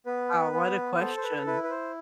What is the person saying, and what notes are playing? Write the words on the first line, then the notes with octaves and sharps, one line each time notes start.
Oh, what a question.
B3 B4
B3
A4 C5
C5
B4
E4 B4
B4
C5